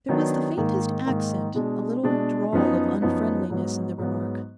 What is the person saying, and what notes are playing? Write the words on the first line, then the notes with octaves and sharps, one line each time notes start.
There was the faintest accent, a little drawl of unfriendliness in the remark.
D#3 F#3 B3 D4
G#2 D#3 A#3
G#2 D#3 A#3
B2 G#3 D4
B2 G#3 D4
F#2 F3 B3 D#4
F#2 F3 B3 D#4
G#2 F#3 B3
G#2 F#3 B3